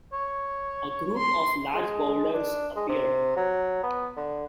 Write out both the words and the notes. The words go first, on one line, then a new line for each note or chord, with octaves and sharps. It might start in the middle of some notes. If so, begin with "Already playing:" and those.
A group of large boulders appeared.
C#5
C6
G#3
D4
G#3
C3
F#3
B3
D3